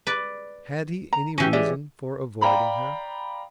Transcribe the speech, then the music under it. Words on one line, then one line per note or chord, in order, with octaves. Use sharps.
Had he any reason for avoiding her?
B4 D5
A#5
E3 C#4 F#4 G4
G#3 G4 D5 E5
D5 F5 G5 A#5 B5